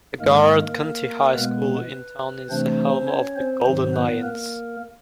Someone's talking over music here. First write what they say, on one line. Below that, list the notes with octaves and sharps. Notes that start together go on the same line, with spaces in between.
The Garrard County High School in town is the home of the "Golden Lions".
G#2 D#3 G#3 A#3 A#4
B2 G#3 B3 B4
C3 E3 A3 C4 D4 C5
C#4 C#5
C4 C5
G#2 D#3 F#3 C4 C5
B3 B4
A#3 A#4